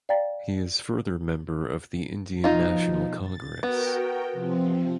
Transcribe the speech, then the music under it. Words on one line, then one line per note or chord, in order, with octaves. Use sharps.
He is further member of the Indian National Congress.
D5 F5 G5 A#5 A6
B2 F3 D#4 F4
A6
B3 F#4 A#4 G5
C3 F3 C4